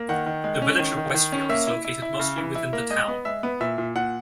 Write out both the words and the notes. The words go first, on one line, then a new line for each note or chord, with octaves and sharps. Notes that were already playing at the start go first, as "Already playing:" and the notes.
The Village of Westfield is located mostly within the town.
Already playing: A#3
D#3 F#5
D#3
G#3
C#4
D#3
D#3
D#3
C#4
A#3 E5
E4
E4
E4
C#3
E3
E4
A#3
G#3 D#5
B3
G#3 E5
B3
A#2 E5
A#2
A#2 F#5